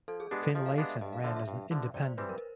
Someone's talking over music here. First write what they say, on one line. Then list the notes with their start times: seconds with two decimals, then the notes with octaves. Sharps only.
Finlayson ran as an independent.
0.08 F3 A4
0.20 G#4
0.31 G#3 B3 D4 G4
0.43 A4
0.54 F3 D#5
0.66 F5
0.78 G#3 B3 D4 F5
0.89 E5
1.01 G2 D#5
1.13 F5
1.24 D3 F3 E5
1.36 E5
1.48 G2
1.71 D3 F3
1.94 C3 D5
2.05 C5
2.17 E3 G3 C4 B4
2.29 A#4